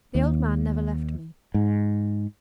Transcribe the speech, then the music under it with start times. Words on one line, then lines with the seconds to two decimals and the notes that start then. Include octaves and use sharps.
The old man never left me.
0.15 D#2
1.54 G#2